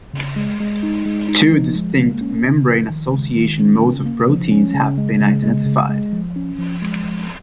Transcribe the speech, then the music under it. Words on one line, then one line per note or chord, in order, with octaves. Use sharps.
Two distinct membrane-association modes of proteins have been identified.
C#3
G#3
G#3
D#4
G#3
D#4
F3
G#3
A#3
C#4
C#3
F3
D#3
G#3
D#3
C#4
C#3
A#3
F3
C#4
C#3
G#3
C#3
G#3
C#3
G#3
F3
C#4
F3
G#3
F3